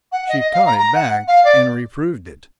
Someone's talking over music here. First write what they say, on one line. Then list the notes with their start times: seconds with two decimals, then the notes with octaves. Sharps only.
She caught it back and reproved it.
0.12 F#5
0.28 D#5
0.40 D#5
0.53 F5
0.66 A#5
0.78 A#5
0.95 F#5
1.28 F5
1.44 D5